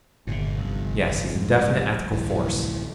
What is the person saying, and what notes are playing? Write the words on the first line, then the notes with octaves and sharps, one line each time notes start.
"Yes; he's a definite ethical force."
G1 A#2 D3
F1 C2
G#2
D1 A1 E3